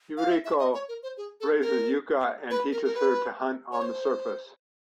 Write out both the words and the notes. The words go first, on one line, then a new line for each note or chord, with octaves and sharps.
Yuriko raises Yuka and teaches her to hunt on the surface.
F5
E5
E5
D#5
C#5
A#4
C5
G#4
A4
A#4
B4
A#4
A#4
B4
C#5
C5